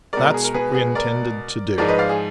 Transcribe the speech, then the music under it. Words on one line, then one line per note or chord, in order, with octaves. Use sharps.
That's what we intended to do.
B2 G#3 A#4 D5
A#4
G#4
A#4
G#4 B4
G#4 B4
A#4 D5
G#2 F3 G#3 A#4 D5
B4 D#5
D5 F5
G#4